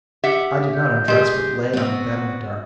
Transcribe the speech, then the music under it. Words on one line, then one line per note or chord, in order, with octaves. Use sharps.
I did not undress, but lay on the bed in the dark.
G4 E5 F#5
G6
G#3 G4 G#4
B3 C4 F#4